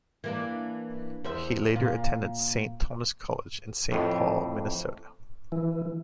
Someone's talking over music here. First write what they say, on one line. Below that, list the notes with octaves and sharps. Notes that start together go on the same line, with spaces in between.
He later attended Saint Thomas College in Saint Paul, Minnesota.
E3 A#3 D4
E2 C5 E5
A#2 F4
F2 A2
E3